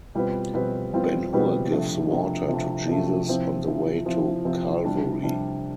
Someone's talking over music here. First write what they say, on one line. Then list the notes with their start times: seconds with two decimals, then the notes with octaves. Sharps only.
Ben-Hur gives water to Jesus on the way to Calvary.
0.15 B2 G3 C4 F4 B4
0.54 B2 G3 C4 F4 B4
0.93 B2 G3 C4 F4 B4
1.33 B2 G3 C4 F4 B4
1.71 C3 F3 A3 D4
2.11 C3 F3 A3 D4
2.49 C3 F3 A3 D4
2.88 C3 F3 A3 D4
3.27 C3 F3 C4 E4
3.67 C3 F3 C4 E4
4.05 C3 F3 C4 E4
4.45 C3 F3 C4 E4
4.85 C3 G3 D4
5.23 C3 G3 D4